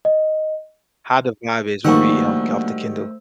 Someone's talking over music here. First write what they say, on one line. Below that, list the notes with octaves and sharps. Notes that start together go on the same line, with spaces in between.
how the vibe is when reading on off the Kindle?
D#5
A#1 D#3 G3 A3 F#4 C5 F#5 E6